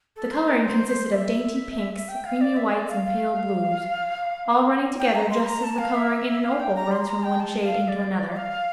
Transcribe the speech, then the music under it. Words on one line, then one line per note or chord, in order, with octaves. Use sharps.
The coloring consisted of dainty pinks, creamy whites and pale blues, all running together just as the coloring in an opal runs from one shade into another.
A4
C5
A#4
C5
C5
E5
G5
F5
D5
E5
D5
F5
F5
G5
A#5
C6
A#5
A5
F5
E5
F5
G5
A#5
C6
A#5
G5
A5
F5
D5
F5